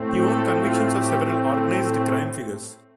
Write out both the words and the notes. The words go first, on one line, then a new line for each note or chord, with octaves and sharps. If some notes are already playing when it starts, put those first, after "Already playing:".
He won convictions of several organized crime figures.
Already playing: A2 A3 C4
A4
F4
G4